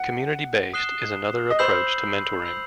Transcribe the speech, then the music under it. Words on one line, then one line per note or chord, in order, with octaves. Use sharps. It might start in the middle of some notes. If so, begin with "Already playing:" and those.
"Community Based" is another approach to mentoring.
Already playing: F#5
D#6 F#6 C7 E7 G7
D#5
C5 B5 E6 G6 C7 F#7
B5 E6 G6 C7 F#7